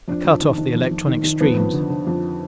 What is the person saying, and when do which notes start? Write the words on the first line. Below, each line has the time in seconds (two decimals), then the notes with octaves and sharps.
I cut off the electronic streams.
0.08 F2 D4
0.25 F2
0.42 D#3
0.58 D#3
0.74 F2
0.91 F2
1.08 D#3
1.24 D#3
1.41 F2 B3
1.57 F2
1.73 D3
1.90 D3
2.07 F2